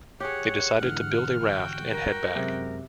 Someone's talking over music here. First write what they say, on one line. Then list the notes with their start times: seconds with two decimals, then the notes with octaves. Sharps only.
They decided to build a raft and head back.
0.20 G4 G#4 C#5 F#5
0.81 G#2 D3 E3 F6
1.40 F#4 G5
1.91 A#4
2.36 F#2 C3 G#3 C4